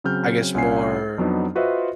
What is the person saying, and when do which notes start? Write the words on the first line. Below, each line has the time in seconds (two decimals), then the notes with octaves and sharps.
I guess, more
0.04 C#3 F#3 C4 F6 G6
0.55 C2 C#4 F4 G#5 C7
1.18 F2 F#3 B3 D4 D#4
1.55 F4 F#4 B4 C5 D#5 E5